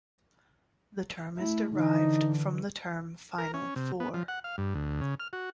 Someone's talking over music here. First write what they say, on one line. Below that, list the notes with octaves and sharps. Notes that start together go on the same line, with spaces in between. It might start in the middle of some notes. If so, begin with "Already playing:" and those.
The term is derived from the term Final four.
A3 E4
D3 E3 D#4
A#4
C#4
C3
B3
F3
F#5
F5
G2
D2
C#3
F6
F#4